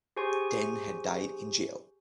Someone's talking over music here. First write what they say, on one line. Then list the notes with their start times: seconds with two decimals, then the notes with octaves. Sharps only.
Ten had died in jail.
0.16 G4 G#4 C5 G#5 C#6